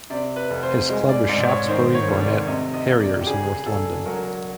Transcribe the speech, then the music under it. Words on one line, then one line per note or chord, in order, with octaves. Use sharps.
His club is Shaftesbury Barnet Harriers in North London.
C3 D5
B4
F1
C5
G#3
D5
G#2 D5
D5
C#5
D#3 C5
C#5
F1
D5
C3 D#5
D#5
E1
D5
G4
C#3 G#4
E1 A4
F#3 A#4